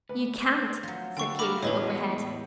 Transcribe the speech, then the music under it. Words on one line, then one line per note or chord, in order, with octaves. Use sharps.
"You can't," said Katy from overhead.
D2 B4
F3 F#3
D3 G5 C#6
A3 A#4 B4 F5 B5 D6
E2 A2 A4 B4 C#5 D#5
G#3 B3